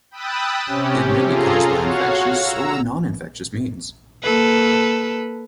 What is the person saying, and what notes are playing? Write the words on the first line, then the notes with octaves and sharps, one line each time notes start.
It may be caused by infectious or noninfectious means.
G5 B5 D#6 E6 F#6 A6
C3 C#4 G4
F4 G#4 A4 A#5 C6
F#4 C#5 F5 F#5
A#5 E6
A#3 A4 B4